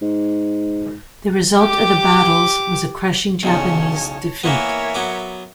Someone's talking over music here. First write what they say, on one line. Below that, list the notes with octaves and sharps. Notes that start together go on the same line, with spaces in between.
The result of the battles was a crushing Japanese defeat.
G#2
G4 D6
B1 E2 C#3 C#5 A5
E3 A#3 B3 A#4 C#5 E5
F#3 B3 D6